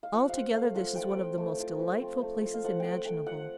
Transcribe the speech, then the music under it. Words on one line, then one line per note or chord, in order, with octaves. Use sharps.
Altogether this is one of the most delightful places imaginable.
F5
F3 F#5
C4 F5 F#5
A3 F5
F3 F#5
F3 G5
F#5
G5
C4
A3
F3
F3
C4
A3
F3
F5
F3 F#5
C4 F#5 G5
A3 G5
F3 F#5